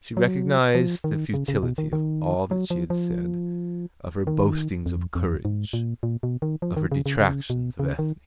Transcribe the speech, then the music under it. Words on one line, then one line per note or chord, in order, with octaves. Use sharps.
She recognised the futility of all that she had said, of her boastings of courage, of her detractions of Ethne.
F#3
F3
D#3
C#3
C#3
B2
D#3
D#3
F#3
F3
F3
D#3
F2
F2
G#2
A#2
A#2
B2
D#3
F3
D#3
C#3
C#3
C#3
B2
C#3
D#3